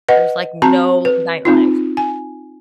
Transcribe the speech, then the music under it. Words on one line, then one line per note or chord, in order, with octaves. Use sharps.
There's, like, no nightlife.
B4 D#5 F#5
C4 F#4 A5 A#5
B4
C4 D#4 F4
G#5